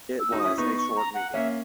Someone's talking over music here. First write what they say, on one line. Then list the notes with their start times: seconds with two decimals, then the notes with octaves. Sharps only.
It was a short meeting.
0.20 E6
0.32 D#4 F#4
0.39 D#6
0.44 C#4 E4
0.57 B3 D#4 C#6
0.77 C#6
0.96 A#5
1.14 F#5
1.34 A#3 C#4 E5